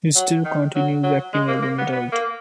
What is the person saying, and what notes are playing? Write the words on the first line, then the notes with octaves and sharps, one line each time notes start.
He still continues acting as an adult.
F#3
D#3
F#3
F#3
G#3
A#3
A#3
B3
B3
A#3